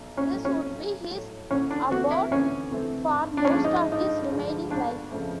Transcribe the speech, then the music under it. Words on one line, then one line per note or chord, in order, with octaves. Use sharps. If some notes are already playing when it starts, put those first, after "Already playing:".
This would be his abode for most of his remaining life.
Already playing: B1
C#4
A2 F#3
C#4
B1
A2 F#3
D2 C#4
D4
C3 E3 A3 C4 F#4
E4
D2 C#4
C3 E3 A3 C4
G2
D4
C#4
D3 F3 G#3 D4
D#4
G2 D#4
D3 F3 G#3
G1 D4
F2 C#3 F3 A3